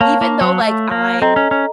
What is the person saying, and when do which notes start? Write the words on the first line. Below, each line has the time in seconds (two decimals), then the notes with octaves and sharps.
Even though, like, I'm
0.01 A#3 C#5 F5 A5 C#6
0.21 A#3
0.41 F#3
0.60 A3
0.91 A#3
1.21 C4 A4 D#5 A#5
1.36 C#4
1.51 C#4